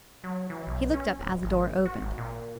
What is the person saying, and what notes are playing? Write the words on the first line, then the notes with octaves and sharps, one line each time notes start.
He looked up as the door opened.
F#3
E3
B1
C#4
D1
G#1
F#4
G#1
A#2